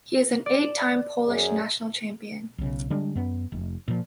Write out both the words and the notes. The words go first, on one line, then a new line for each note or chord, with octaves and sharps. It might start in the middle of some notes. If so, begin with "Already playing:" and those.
He is an eight-time Polish national champion.
D5
F#2 G#4
B1 C#3
D3 G3 G#3 D4
F#2 B3
F1
A#2 F3